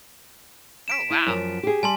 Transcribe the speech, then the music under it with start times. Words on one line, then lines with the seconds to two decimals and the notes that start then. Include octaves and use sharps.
Oh, wow.
0.88 B6 D7 E7
1.10 E4
1.27 F#2 F3
1.63 G4 G#4
1.83 G3 G#5 A5 C6